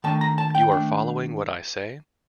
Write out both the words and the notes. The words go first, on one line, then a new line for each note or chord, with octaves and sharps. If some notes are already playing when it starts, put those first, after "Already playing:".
You are following what I say?
D#3 A3 D4 A5
A#5
A5
G5
D#3 A3 D4